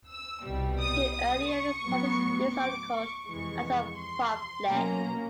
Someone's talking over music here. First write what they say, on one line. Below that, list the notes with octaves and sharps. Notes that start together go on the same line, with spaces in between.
He earlier published these articles as a pamphlet.
E6
C2 B2 G3
D#6
D#6
C#6
A2 F#3 B3
D6
C#6
F2 C3 E3 G#3 C#6
C6
B2 F#3 A#3 C#4 A#5